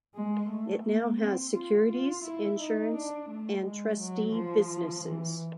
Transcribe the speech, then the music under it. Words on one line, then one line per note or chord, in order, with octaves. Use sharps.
It now has securities, insurance and trustee businesses.
G#3
A3
A#3
C4
F4
F4
E4
D#4
D4
A3
G#3
F#3
F3
E3